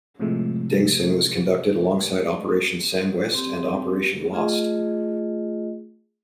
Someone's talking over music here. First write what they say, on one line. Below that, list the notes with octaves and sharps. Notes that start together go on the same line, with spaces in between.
Dingson was conducted alongside Operation Samwest and Operation Lost.
A2 C3 F3 G#3 A3
C4 G4
A3 F4 G#4 D#5